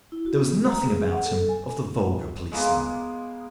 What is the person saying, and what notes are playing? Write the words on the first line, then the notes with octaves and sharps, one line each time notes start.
There was nothing about him of the vulgar policeman.
E4
F#4
B3
A#5
G#4
F#5
A4
G#5
G#3 A#3 B3